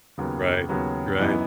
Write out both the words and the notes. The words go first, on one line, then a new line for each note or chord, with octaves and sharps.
Right, right.
D#2 C#3 F#3 B3
D#2 C#3 F#3 B3
F#2 E3 B3 D#4